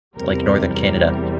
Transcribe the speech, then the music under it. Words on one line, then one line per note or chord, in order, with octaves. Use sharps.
like, Northern Canada,
E2 C3 G3 A#4
A#4